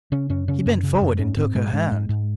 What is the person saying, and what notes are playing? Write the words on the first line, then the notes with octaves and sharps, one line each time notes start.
He bent forward and took her hand.
C#3 C#4
F#2 C#4
C#3 C#4
F#2
C#3
F#2
G#2 C#4
G#2 C4
G#2 G#3
G3
G#2 G#3
G#2
G#2